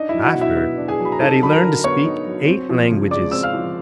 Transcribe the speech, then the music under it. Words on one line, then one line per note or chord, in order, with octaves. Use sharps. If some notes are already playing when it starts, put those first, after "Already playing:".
I've heard that he learned to speak eight languages.
Already playing: D4 D#4 D#5
E4 E5
F#3
F#4 F#5
B2
E4 E5
B3
D4
G#4 G#5
F#3
B5
A#5
D#4 A4 A5
F#3 B5
A#4 A#5
D3
B3 C#5 C#6
D#4
F#3
C4
F3
C#3
G#3 D5 D6
C4 E6
F5 F6
F3